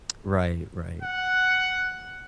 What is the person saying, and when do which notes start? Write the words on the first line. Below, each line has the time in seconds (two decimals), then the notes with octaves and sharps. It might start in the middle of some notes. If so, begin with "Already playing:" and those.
Right, right
1.03 F#5